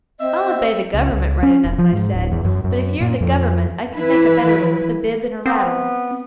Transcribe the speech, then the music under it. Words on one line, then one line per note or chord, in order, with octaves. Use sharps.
'I'll obey the Government right enough,' I said; 'but if you're the Government I could make a better one with a bib and a rattle.'
C4 D#5 E5
C#2
C#2
C#4
E1
F3
G#2
D1
E2
F#2
F#2
A#2
F2
E3 E4 B4
B3 C4